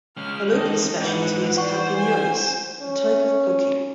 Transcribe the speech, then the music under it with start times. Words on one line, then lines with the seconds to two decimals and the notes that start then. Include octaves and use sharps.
A local specialty is "carquinyolis", a type of cookie.
0.17 G#3 C#4 F6
0.52 E2 D#3 G#3 A4 D#5
1.00 G#2 E3 D#4 F#5
1.57 C5 D5 F#5 C#6
1.95 G#5
2.82 C#4